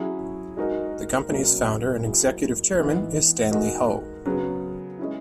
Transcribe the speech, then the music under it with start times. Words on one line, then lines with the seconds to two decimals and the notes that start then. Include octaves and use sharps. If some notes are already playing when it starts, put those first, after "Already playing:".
The company's founder and executive chairman is Stanley Ho.
Already playing: F#3 C#4 E4 G#4
0.57 G#3 D#4 F#4 A#4
1.31 B2 F#3 A#3 C#4
2.04 F#3 A#3 E4 G#4
2.79 E3 G#3 B3 D#4 G#4
3.51 G#3 D#4 F#4 A#4
4.25 C#3 F#3 B3
4.99 G#3 C#4 E4